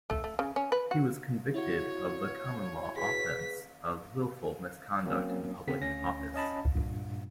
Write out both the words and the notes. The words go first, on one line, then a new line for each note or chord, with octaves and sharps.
He was convicted of the common law offence of wilful misconduct in public office.
A3
A3
C#3
C#4
B4
F#4
E4 F#4 C#5
G#4 B4 B6
F#3 A#3 C4 C#4
C#3 B3 C4 B6
D2 C#4 A#6
C#4 D#5 A5 B5
G2 A#2